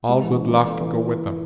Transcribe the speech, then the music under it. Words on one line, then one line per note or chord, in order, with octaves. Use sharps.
All good luck go with them.
G#3
E3
C#4
E3
A4
E3